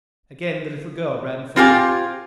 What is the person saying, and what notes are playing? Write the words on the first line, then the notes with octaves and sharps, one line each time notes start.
Again the little girl ran forward.
C4 F4 G4 G#5